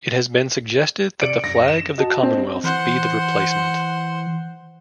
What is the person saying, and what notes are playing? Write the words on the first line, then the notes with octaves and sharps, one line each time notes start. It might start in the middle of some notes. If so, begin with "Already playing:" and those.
It has been suggested that the Flag of the Commonwealth be the replacement.
C3 D5 C#7 D7 F#7
F#2 A#6
E7
F#4 D#5 A5
C4
E3 C5 F#5